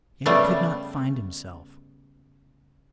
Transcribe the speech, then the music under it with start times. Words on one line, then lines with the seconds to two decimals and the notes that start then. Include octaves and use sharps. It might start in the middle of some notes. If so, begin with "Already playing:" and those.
Yet he could not find himself.
0.26 C#3 G3 A3 B3